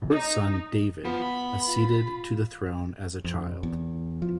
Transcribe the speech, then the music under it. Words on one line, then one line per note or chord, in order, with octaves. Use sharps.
Robert's son, David, acceded to the throne as a child.
D#4
F3 B3
B5
F4
F2
E2
F3